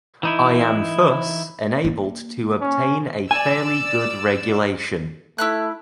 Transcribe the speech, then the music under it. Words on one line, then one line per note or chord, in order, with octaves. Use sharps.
I am thus enabled to obtain a fairly good regulation.
E3 D#4 E4
A#3
C#4
D5 G#5 E6
A3 E4 B5 F#6